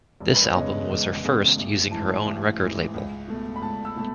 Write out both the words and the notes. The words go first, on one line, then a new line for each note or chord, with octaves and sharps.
This album was her first using her own record label.
E1
B4
C#5
E2 C#3 G#3 D#5
E1
E2 C#3 G#3
A1
G#2 E3 A5
A1
G#2 E3
C#2
B2 A3
B5
C#2 A5
E6
B2 A3 A5